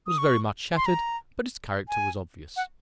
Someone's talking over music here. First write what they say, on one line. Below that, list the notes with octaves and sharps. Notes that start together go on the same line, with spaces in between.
It was very much shattered, but its character was obvious.
D#6
C#6
C6
A#5
G#5
F#5